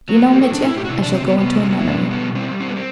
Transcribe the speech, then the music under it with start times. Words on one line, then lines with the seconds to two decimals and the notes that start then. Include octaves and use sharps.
Do you know, Mitya, I shall go into a nunnery.
0.09 F#3
0.16 B3
0.26 F#3
0.32 G4
0.41 A2 A4
0.54 A2 D4
0.65 E4
0.74 A2 G4
0.85 F#4
0.89 C3 E4
1.02 D4
1.06 C3
1.14 C4
1.23 C3 B3
1.38 C3 B3
1.55 F#3
1.63 C4
1.70 B3
1.79 E4
1.87 B2 D4
2.03 G3
2.11 B3
2.19 B2
2.35 G3 C4
2.51 G3
2.60 C4
2.68 B3
2.76 C4